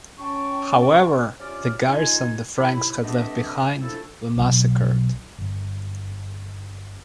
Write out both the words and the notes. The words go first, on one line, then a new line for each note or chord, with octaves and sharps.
However, the garrison the Franks had left behind were massacred.
C#4 G5 A5 C#6
C3 C#4 F4 D5 D6 F6
D#4 F4 G#5
D#2 E4 B5
A3 B3 C4 D4 G4 D#5
F3 A3 D4 E4 A4
B1
G1